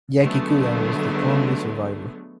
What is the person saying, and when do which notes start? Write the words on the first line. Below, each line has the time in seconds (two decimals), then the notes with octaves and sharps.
Jackie Coogan was the only survivor.
0.20 D3 F#3 G#3 A3 B3